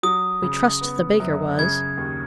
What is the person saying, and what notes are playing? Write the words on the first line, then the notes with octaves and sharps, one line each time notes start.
We trust the baker was.
F#3 D#6
C#3
B3
F#2
C#3 G#6
D#2